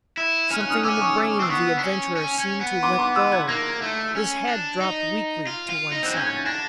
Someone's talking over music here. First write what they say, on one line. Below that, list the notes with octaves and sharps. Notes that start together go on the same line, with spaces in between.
Something in the brain of the adventurer seemed to let go; his head dropped weakly to one side.
E4
C#4 F6
F#6
D#6 F6
C#4 D6 E6
C#6 D#6
D6 E6
C#6 D#6
C4 E6
B3 C#6 D#6
D4
C#4
C#4
C#4
B3
C6 D6
C6 D6
E6 F#6
F#6 G#6
A#3 G#6 A#6
A3
C#4
D4
D#4
F4
F4
D#4
C4 F#6
C#4 G6
G#6
A6
D4 G#6 A#6